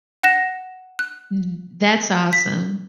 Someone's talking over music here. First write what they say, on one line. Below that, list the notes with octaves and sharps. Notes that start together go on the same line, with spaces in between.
Mhm, that's awesome.
F#5 F#6 A#6 E7
F#6
B6